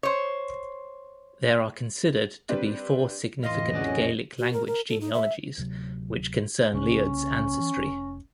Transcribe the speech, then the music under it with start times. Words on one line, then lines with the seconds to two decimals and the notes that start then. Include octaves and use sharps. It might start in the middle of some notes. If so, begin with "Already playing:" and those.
There are considered to be four significant Gaelic-language genealogies which concern Leod's ancestry.
0.03 C5 C#5
2.49 G3 C4 D4 B4
3.43 A1 F2 E3 D#5 F5 C6
3.74 B1 B2 C#4 G#4 D5 F#5
4.39 F#4
4.53 A#4
4.67 A#4
4.89 A4
5.01 D#4
5.13 E5
5.58 D1 C3 F#3
6.73 C2 C#3 A#3 C#4
7.60 E3
7.76 F1